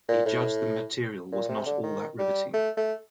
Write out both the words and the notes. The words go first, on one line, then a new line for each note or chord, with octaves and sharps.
He judged the material was "not all that riveting".
A#2
A2
A#2
C3
D3
D#3
G3
A3
A3